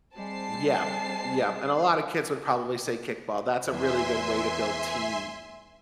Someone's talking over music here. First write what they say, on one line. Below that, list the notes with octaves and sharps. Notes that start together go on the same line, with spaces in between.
Yep. Yep, and a lotta kids would probably say kickball, that's a really good way to build team,
G3 G#3 C4 A5 C7
E2 E3 E5 G#5 C6